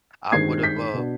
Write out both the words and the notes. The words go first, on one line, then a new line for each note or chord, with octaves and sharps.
I would 've uh,
G2 D#3 G#3 C4 G#6 C7
G6 B6
B2 B3 D4